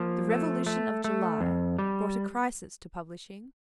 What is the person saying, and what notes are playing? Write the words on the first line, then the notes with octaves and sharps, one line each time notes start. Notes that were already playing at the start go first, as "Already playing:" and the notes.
The Revolution of July brought a crisis to publishing.
Already playing: F3 A#3
A3
A3
A3
F2
G3